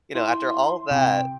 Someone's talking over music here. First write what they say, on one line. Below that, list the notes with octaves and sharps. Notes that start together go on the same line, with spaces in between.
you know, "After all that,"
E4 C6
C3 G5